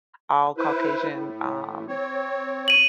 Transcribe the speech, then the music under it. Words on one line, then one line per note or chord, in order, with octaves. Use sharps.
all Caucasian, um,
E4 B4 C5
A2
C4 C#5
D#7 F#7